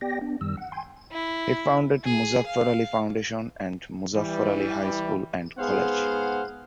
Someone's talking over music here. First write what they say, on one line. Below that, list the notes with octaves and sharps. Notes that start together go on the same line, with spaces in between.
He founded Muzaffar Ali Foundation and Muzaffar Ali High School and College.
B3 G4 D5 G5 A#6
B3 D4
F#2 D#3 G3 E6
F#5
G5 G#5 C6
E4
G#4
F5
E3 G3
G#2 B3 G#4 C5 F5 F#5